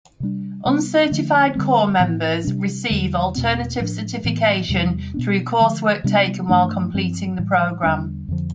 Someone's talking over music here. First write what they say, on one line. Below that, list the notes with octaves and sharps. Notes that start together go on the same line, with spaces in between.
Uncertified corps members receive alternative certification through coursework taken while completing the program.
C3 G3 D4
C3 G3 B3
D3 F3 A3 D4
D3 G3 C4
A2 E3 B3
C3 G3 D4
E2 D3 G3
E2 B2 A3 C4
A2 F3 B3 D4
A2 E3 B3
E2 C3 G3
B2 B3 D4
D3 F3 A3
C3 G3 B3 D4
G2 E3 A3 D4
G2 F3 C4
A2 E3 G3
E2 D3 G3 D4
F2 D3 F3